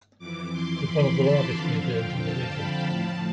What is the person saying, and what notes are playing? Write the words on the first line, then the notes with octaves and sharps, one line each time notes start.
It is one of the largest museums in the region.
F2 E3 D6
C6
B5
A5
F2 D3 F3 F5
G5
A5
B5
A2 F3 A5